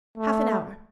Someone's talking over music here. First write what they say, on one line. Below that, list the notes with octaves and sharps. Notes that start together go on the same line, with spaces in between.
"Half an hour."
A3